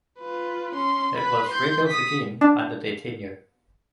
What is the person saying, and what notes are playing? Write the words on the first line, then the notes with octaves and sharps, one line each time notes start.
It was rebuilt again under their tenure.
F4 B4
C#4 C6
B4 B5
C6 G6
D#6 B6
D4